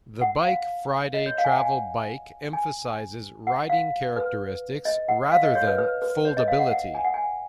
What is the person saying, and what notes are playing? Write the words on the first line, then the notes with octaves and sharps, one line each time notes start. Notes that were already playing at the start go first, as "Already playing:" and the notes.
The Bike Friday travel bike emphasizes riding characteristics rather than foldability.
F#5
F5
D#5
C#5
F5
G#5
F#5
G#5
G#5
F#5
F5
B4
D#5
F#5
F5
D#5
C#5
B4
B4
B4
C#5
D#5
F5
F#5
F#5
G#5
F#5
G#5